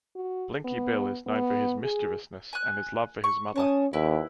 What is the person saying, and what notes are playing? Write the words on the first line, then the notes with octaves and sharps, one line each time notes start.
Blinky Bill is known for his mischievousness and his love for his mother.
F#4
B3
B3
G#4
G#5 F#6
C#6
C#4 C#5 A5 D#6
D#2 E4 B4